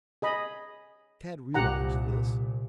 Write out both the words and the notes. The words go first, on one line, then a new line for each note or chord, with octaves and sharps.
Tad realized this.
G#4 D#5 B5
C2 A#2 G4 F#5 A#5